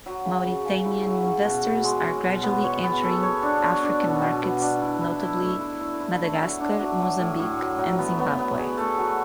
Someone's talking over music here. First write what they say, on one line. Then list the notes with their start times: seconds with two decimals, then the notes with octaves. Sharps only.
Mauritian investors are gradually entering African markets, notably Madagascar, Mozambique and Zimbabwe.
0.06 F#3
0.25 C#3
0.45 C#3
0.65 C#3
0.85 E4
1.05 F#3
1.25 C#4
1.45 B2
1.64 B2
1.84 G#3
2.04 C#4
2.24 B2
2.43 B3
2.63 C#5
2.84 B3
3.03 A4
3.23 C#5
3.43 D4
3.62 C#5
3.83 D4
4.02 B2
4.22 B2
4.42 B2
4.62 D4
4.81 E4
5.01 E4
5.21 E4
5.41 A3
5.61 E4
5.80 E4
6.00 E4
6.20 A3
6.40 F#3
6.60 D4
6.80 F#3
7.00 F#3
7.19 A2
7.39 A2
7.59 F#3
7.79 F#3
7.99 B3
8.19 B3
8.39 B3
8.58 G#4
8.77 A3
8.97 F#3